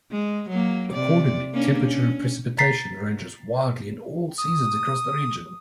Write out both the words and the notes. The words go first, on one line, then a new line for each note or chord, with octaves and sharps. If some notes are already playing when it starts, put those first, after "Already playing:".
Accordingly, temperature and precipitation ranges wildly in all seasons across the region.
G#3
F#3 A#3
C3 D5
A#3 C#4 D4
C#4
A#5 A6 B6 C7
D#6